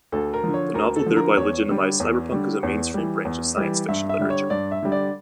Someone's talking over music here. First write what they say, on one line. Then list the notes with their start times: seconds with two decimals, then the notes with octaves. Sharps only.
The novel thereby legitimized cyberpunk as a mainstream branch of science fiction literature.
0.12 D2 A4
0.34 A#4
0.44 D3 F3
0.54 C#5
0.74 D2 A#4
0.96 A4
1.06 D3 F3
1.16 A#4
1.37 E2 C#5
1.68 D3 G3
2.00 E2
2.32 D3 G3
2.63 E2
2.94 E3 G3
3.25 E2
3.57 E3 G3
3.88 G2 E5
4.09 E5
4.19 D3 G3
4.30 C#5
4.50 G2 D5
4.72 E5
4.82 D3 G3
4.92 D5